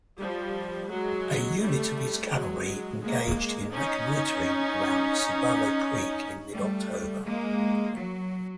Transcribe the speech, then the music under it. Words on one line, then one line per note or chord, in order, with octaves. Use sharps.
A unit of his cavalry engaged in reconnoitering around Cibolo Creek in mid-October.
F3 G3
F#3 G#3
G3 A3
F#3 G#3
G#3 A#3
C#4 D#4
G3 A3
G#3 A#3
F#3